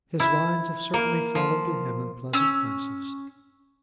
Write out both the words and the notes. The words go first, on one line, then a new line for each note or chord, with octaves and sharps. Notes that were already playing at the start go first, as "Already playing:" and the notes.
His lines have certainly fallen to him in pleasant places.
E4
A#3
F3
C#4 E6